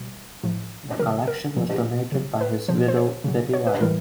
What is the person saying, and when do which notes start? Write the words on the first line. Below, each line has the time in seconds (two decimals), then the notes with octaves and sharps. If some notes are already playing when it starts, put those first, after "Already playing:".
The collection was donated by his widow, Betty White.
Already playing: B2 G3
0.44 A2 F3
0.99 C#3 F#3 A#4
1.27 A#4
1.56 A#2 F3
2.12 C#3 F#3
2.41 B4
2.68 C3 F3 C5
2.88 C5
2.97 C#5
3.24 C#3 F#3
3.53 C#5
3.67 B4
3.81 A2 E3 G3 A#4